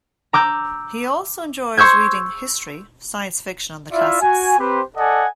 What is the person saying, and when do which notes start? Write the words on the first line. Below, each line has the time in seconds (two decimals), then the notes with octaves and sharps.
He also enjoys reading history, science fiction and the classics.
0.33 A#5 D6 E6 G6
1.77 C6 C#6 E6 G6 G#6
3.92 E4 F4 D5 E5
4.21 F#4 G#5
4.58 C4 G4 B4 C5
4.97 A4 D5 D#5 F#5 G#5